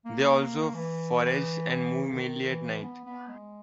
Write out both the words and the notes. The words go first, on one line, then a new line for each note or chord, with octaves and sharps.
They also forage and move mainly at night.
A#3
E3
C#3
D#3
D#3
E3
B3
B3
G#3